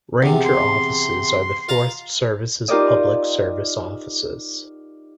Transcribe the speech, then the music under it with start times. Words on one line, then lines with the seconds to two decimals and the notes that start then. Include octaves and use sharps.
Ranger offices are the Forest Service's public service offices.
0.23 E2 C3
0.46 C6
1.69 F4 F5 A#5
2.68 D#4 F4 G4 A#4 D5 D#5